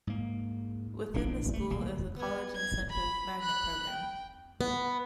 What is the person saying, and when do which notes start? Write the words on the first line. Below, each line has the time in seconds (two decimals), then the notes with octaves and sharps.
Within the school is a College Incentive Magnet Program.
0.07 G#2 A#3
1.14 A#1 E3 G#3 D4
1.54 A3
1.70 D1 B1 A#3
2.16 B3 G#6
2.56 G#6
2.91 B5
3.40 B5 F#6
3.90 G5
4.61 B3